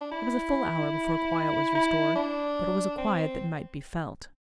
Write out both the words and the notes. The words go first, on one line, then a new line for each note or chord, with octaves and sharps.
It was a full hour before quiet was restored . . . but it was a quiet that might be felt.
D4
E4
E4
D4
C4